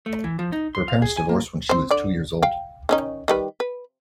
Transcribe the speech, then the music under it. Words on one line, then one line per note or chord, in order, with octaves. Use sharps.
Her parents divorced when she was two years old.
A3
E3
F3
D#4
C6
F5
G#4
G#5
A#3
C4 C5
D3 D5
F5 G5
D#3 C#4 D#4
D#3 G3 B4
B4